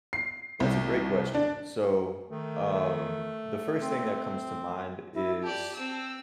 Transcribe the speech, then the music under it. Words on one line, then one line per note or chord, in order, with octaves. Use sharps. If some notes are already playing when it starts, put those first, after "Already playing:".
That's a great question. So, um, the first thing that comes to mind is
C7
C2
D4
D#3 A3
C4
E4
G4 D5 A5
C4 E6